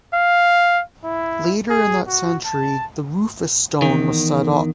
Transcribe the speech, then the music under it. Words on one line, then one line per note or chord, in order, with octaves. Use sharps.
Later in that century the Rufus Stone was set up.
F5
E4
G#4
F#4
A5
E2 D#3